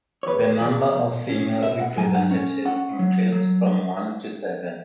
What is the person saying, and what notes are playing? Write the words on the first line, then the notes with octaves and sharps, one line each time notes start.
The number of female representatives increased from one to seven.
C#5
E2 B4
E2 D5
B2
C#4
B2 E5
F#5
F#3 G#5
F#5
C#4
C#4 F#5
F#3
F#3